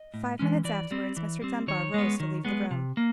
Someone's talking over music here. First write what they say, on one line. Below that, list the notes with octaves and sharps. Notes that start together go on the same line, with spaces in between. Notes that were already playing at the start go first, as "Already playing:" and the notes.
Five minutes afterwards Mr. Dunbar rose to leave the room.
Already playing: D#5
A2
E3 G#3 C#4
E3 D5
G3 C4
E3
G3 C4
D#3 C#5
G#3 B3
D#3
G#3 B3
C3
A#3